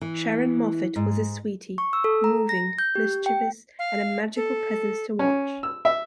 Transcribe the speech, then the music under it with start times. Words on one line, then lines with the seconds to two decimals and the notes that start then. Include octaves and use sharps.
Sharyn Moffett was a sweetie; moving, mischievous and a magical presence to watch.
0.01 E3
0.96 G#2
1.78 C#6
1.93 E6
2.04 A4
2.24 A#5
2.49 A#6
2.79 G6
2.95 G4
3.26 G5
3.79 F5
4.36 A4
5.19 C#4
5.63 E6
5.85 E5